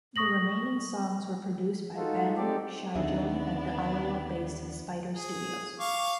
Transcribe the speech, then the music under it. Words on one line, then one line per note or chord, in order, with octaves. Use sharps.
The remaining songs were produced by Ben Schigel at the Ohio-based Spider Studios.
C#6 D#6 A#6 F#7
G#3 D#4 F4 F#4 A4
G#3 C4 D#4 G4 A4 D5
D#2 D3 B3 C4 D4 D#4 G#4 E5
G#4
F5 C#6 D6